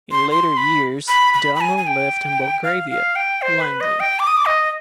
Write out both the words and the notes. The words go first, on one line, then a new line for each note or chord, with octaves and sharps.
In later years, Donlan lived in Belgravia, London.
C6
C6
B5
B5
B5
B5
G#5
G#5
G5
F5
F5
G5
C5
B4
D#5
G5
D6
D#6
D6
D#5